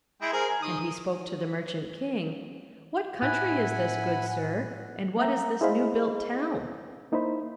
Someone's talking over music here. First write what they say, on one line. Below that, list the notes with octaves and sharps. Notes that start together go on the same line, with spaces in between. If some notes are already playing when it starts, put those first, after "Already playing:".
And he spoke to the merchant king: "What country is this, good sir; and what is this new-built town?"
G#3 E4 G5
G#4 A#4 C5
G#5
D#3 D#6
D#6
A2 E4 F#5 G#5 B5 F#6
A#3 E5 A#5
E4 G#4 C5 D#5 F5 B5
A#3 D#4 E4 C5 B5